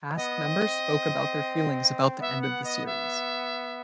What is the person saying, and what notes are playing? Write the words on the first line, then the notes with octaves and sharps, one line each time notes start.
Cast members spoke about their feelings about the end of the series.
B3 D#5
C4
B3 E5
F#5
D#5
E5